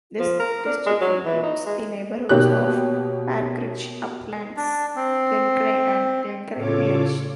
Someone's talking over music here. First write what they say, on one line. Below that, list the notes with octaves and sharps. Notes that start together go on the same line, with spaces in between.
This district includes the neighbourhoods of Parkridge, Uplands, Glencairn and Glencairn Village.
F3
A#4
D4
G#3
F#3
E3
D#4
G#3
B2 A#3 G4 C#5 F#6
D4
C4
A2 C#3 F4 A4 C#5 D6